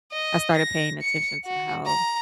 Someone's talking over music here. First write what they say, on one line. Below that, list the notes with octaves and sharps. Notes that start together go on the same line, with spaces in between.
I started paying attention to how
D#5
A#6
C#7
F#4
A#5